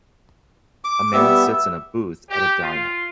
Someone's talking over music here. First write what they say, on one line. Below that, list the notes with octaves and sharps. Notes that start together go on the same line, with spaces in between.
A man sits in a booth at a diner.
D6
G3 B3 G4 E5
G4
F4